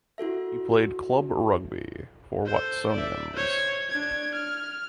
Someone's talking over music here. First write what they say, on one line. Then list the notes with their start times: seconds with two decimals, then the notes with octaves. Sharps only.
He played club rugby for Watsonians.
0.18 E4 F#4 A4 E5
2.46 A4 C5
2.91 D5 E5
3.33 C5 C#5
3.89 D4 G#6
4.34 F6